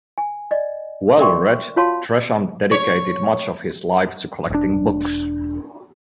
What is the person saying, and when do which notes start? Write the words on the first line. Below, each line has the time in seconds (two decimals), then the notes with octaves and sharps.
Well-read, Tresham dedicated much of his life to collecting books.
0.18 G#5
0.51 D5 D#5
1.19 A#4 D5 E5 G5 C6 C#6
1.76 F4 F#4 C#5 F5 A5 C6
2.71 C#5
4.50 E1 D4